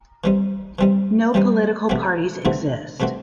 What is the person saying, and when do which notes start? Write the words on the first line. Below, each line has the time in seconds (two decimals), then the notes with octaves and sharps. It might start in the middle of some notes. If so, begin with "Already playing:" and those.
No political parties exist.
0.24 E3 G3 C4 D#4
0.79 E3 G3 C4 D#4
1.34 E3 G3 C4 D#4
1.89 C3 E3 A3 C4 F#4
2.45 C3 E3 A3 C4 F#4
3.00 C3 E3 A3 C4 F#4